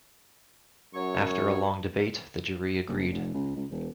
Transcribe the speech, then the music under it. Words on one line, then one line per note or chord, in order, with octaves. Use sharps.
After a long debate, the jury agreed.
F#2 F#3 C#5 C#6
F#1
F1
C#2
C#2
E1